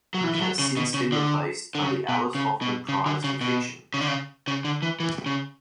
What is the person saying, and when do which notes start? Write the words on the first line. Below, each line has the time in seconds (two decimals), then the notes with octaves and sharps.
It has since been replaced by the Alice Hoffman Prize for Fiction.
0.14 F#3
0.23 E3
0.35 E3
0.41 F#3
0.59 C#3
0.77 B2
0.94 C#3
1.12 D3
1.75 D3
1.82 C#3
2.09 B2
2.35 C#3
2.62 B2
2.89 C#3
3.06 D3
3.24 C#3
3.41 B2
3.94 C#3
4.01 D3
4.08 C#3
4.48 C#3
4.65 D3
4.82 E3
5.00 E3
5.26 C#3